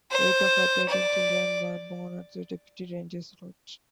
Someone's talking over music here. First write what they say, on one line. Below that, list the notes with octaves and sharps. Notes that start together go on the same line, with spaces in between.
Eight of her thirteen children were born at the deputy ranger's lodge.
C5
D5